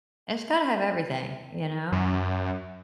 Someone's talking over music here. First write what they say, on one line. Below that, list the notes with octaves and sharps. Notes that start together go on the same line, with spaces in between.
it's gotta have everything, you know,
F#2